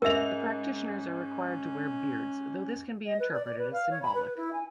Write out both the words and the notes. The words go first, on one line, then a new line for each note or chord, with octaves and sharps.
The practitioners are required to wear beards, though this can be interpreted as symbolic.
G#2 C#4 A#4 E5 F7
D#5
B4
D5
D5
B4
F5
C#5
B5
B4
E4
G#5